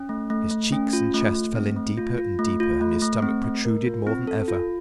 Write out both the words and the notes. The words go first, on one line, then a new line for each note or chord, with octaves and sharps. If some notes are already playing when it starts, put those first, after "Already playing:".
His cheeks and chest fell in deeper and deeper, and his stomach protruded more than ever.
Already playing: C#4
A3
A3
A3
C#4
F4
A3
A3
C4
A3
F4
F4
A3
F4
A3
A3
C4
A3
A#4
F4
C4
A4
F4